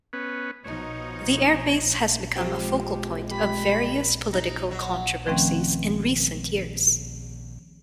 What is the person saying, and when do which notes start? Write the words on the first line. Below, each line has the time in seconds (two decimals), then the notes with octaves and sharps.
The airbase has become a focal point of various political controversies in recent years.
0.13 B3 C#4 B4
0.64 B2 F3 D#4 C#5
2.36 F2 G#3 G4
3.31 G4 B5
4.33 D#4
4.71 F#3
5.26 D#3 F3 A3 C4 C#4 G5